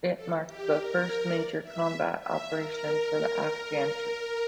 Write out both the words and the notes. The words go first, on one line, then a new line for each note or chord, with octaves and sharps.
It marked the first major combat operation for the Afghan troops.
A4
G4
A#4
D5
E5
E5
A#4